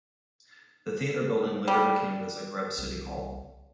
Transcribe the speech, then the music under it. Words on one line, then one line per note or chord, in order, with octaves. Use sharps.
The theatre building later became the Zagreb City Hall.
G3
C2